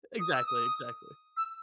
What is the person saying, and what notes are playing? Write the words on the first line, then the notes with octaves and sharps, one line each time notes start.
Exactly, exactly.
D#6
E6
D#6
E6